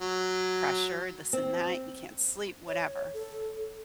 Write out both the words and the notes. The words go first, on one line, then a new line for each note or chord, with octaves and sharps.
pressure, this and that. You can't sleep, whatever.
F#3
C4
C#5
A4